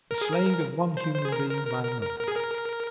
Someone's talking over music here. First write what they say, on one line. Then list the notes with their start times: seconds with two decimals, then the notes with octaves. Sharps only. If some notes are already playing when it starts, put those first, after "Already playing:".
The slaying of one human being by another.
0.11 A#4
0.21 G#4
0.32 A#4
0.97 C5
1.15 C5
1.25 G#4
1.32 A#4
1.51 A#4
1.67 A#4
1.85 A#4
2.03 A#4
2.20 A#4
2.28 G#4
2.36 A#4